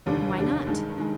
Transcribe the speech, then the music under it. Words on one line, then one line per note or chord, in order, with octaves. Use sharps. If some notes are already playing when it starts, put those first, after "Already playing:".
"And why not?"
F1 D#2 D3 G3 D4
F1 D#2 D3 G3 D4
G2 D#3 G#3
D#3 G#3